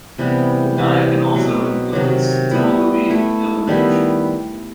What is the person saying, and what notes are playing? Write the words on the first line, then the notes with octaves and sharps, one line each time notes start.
The diet can also influence toluene elimination.
C3 E3 G3 B3
C3 E3 G3
B2 F#3 C4
C3 D#3 F#3
G3 B3 E4
A3 E4 A4
D#3 G3 B3 E4